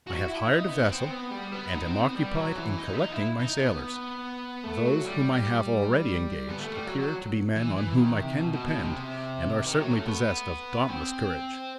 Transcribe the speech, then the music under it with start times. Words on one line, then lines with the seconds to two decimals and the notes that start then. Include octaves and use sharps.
I have hired a vessel and am occupied in collecting my sailors; those whom I have already engaged appear to be men on whom I can depend and are certainly possessed of dauntless courage.
0.07 F#4
0.28 E4
0.48 D#4
0.69 B3
0.89 C4
1.11 B3
1.31 G3
1.52 B3
1.73 D#4
1.87 C4
2.01 B3
2.15 G3
2.35 F#3
2.56 E3
2.78 D#4
2.93 E4
2.98 D#4
3.11 E4
3.39 D#4
3.60 B3
4.64 A3
4.85 F#3
5.06 G3
6.49 B3
6.60 A3
6.73 G3
6.87 F#3
7.00 F#3
7.56 E3
7.76 E3
7.97 D#3
8.18 C3
8.38 B2
8.53 B2
8.66 B2
8.80 C3
9.64 D#3
9.78 F#3
9.91 A3
10.06 B3
10.89 C4